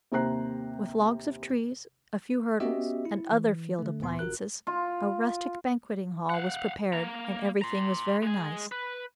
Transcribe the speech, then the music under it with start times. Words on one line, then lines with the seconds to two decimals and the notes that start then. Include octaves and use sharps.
With logs of trees, a few hurdles, and other field appliances, a rustic banqueting hall was prepared and everything was very nice.
0.12 D#2 C3 C5 A#5 F#6 C7
2.60 B3 C#4 F#4 G4 D#5 E5
3.05 E4
3.32 E3
3.79 D3 A3
4.02 D2 A#2 B3 C6
4.19 G1 F#4 A#4 F#6
4.67 F4
6.30 F5 F#5
6.93 A#3 A#5
7.62 A#5 C6
8.23 G#3 G#5
8.72 B4